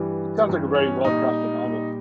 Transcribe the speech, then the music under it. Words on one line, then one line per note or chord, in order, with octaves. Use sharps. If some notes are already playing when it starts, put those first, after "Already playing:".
It sounds like a very well-crafted novel.
Already playing: G2 E3 G3
G2 E3 G3
C#4
A#2 G3 D#4
A#2 G3